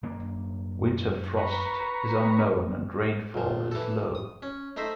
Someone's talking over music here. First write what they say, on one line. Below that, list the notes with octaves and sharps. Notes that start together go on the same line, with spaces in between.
Winter frost is unknown and rainfall is low.
F#2 A#3 D4
B4 A#5 C#6
A#1 F3
E3 A4
D#6
C#4
A3 D#4 C5 E5